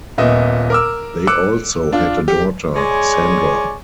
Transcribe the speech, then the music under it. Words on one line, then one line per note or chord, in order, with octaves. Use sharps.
They also had a daughter, Sandra.
D#1 A#2 B3 D#5 E5
A#4 D6 E6
D6 E6 F#6 C#7
D4 F4
G4
G#3 C#5 D5 G#5